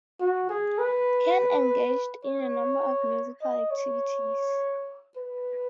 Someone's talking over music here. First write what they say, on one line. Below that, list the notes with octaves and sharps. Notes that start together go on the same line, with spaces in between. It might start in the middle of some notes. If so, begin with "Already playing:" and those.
Ken engaged in a number of musical activities.
F#4
G#4
B4
C#5
D#5
C#5
B4